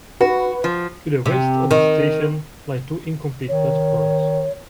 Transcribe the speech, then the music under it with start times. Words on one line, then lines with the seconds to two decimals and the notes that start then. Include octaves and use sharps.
To the west of the station, lie two incomplete platforms.
0.21 F#4 B4
0.64 F3
1.26 C3
1.71 D#3
3.49 D#3 C#5